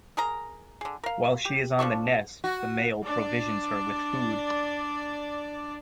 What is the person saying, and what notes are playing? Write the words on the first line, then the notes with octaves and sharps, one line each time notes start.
While she is on the nest, the male provisions her with food.
G#4 A#4 A#5
D3 G#4
A#4 F5
G4
F3 D4 A4 C#6
F#4
D4 D5